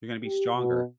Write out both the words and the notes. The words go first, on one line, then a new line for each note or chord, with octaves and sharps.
you're gonna be stronger,
G4
B2